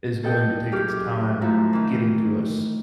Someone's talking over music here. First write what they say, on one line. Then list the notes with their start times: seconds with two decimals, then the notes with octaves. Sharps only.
is going to take its time getting to us,
0.24 A4 D#5 G5
0.72 F#2 G4 G#4 D6 F6
1.41 F#2 F3 A3 E4 A#5
1.73 D#3 E3